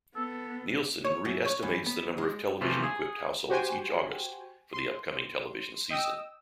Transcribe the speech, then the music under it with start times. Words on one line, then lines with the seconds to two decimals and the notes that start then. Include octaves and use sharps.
Nielsen re-estimates the number of television-equipped households each August for the upcoming television season.
0.16 B3 A4
1.05 C#5
1.25 F#2
1.45 C#5
1.62 E2
1.86 B3
2.18 G#3
2.61 C3 E3 F3 A3
2.83 G#4
3.49 F#4 G4 C5 G5 G#5
4.73 C6
5.90 D#5 G5 D#6 E6